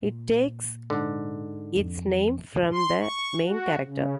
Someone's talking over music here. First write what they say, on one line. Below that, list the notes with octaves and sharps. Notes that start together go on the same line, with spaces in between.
It takes its name from the main character.
A#2
G#2 D3
F2
C6
C#6
F#4
C#3